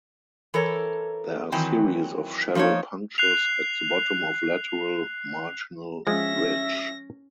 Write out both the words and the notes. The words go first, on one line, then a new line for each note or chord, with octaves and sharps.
There are series of shallow punctures at the bottom of lateral marginal ridge.
E3 A4 A#4 C#5
D#3 E3 F#3 C4
F3 A#3 D4 D#4 C#5
F#6 C7 F7
F3 G#3 C#4 E5 A#6